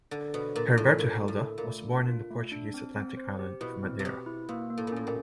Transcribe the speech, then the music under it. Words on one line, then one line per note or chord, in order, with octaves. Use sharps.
Herberto Helder was born in the Portuguese Atlantic island of Madeira.
D3 A4
B2 C5
A#2 F4
A2 F4
A#2 D4
A3
A2
A4
A#2
A3
D4
F4
A3
D4
C4
C4
C5
G4
B2 E4
C4
C3
B2 G4
E4
B2 A#3
A#3
A2
A#2
A2 C#4
A#2